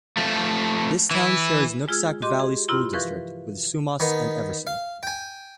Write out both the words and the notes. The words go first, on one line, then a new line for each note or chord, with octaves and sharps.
This town shares Nooksack Valley School District with Sumas and Everson.
F3 A3
E3 E4
G#3 F4 G#4 E6 F6 G#6
F#4 G4 D#5 C6 D6
G#4
G2 C3 E4 F4 G4 C6
E3 F3 A#4 B4 C#6 F#6
D#3 B3
F5
G5 G#5